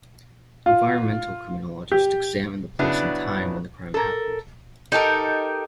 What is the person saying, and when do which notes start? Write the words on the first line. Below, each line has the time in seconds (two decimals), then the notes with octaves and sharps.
Environmental criminologists examine the place and the time when the crime happened.
0.66 F4
1.92 G4
2.79 C#3 F#3 B3 D4 E4
3.94 A4 A#4
4.92 D#4 G4 A4 A#4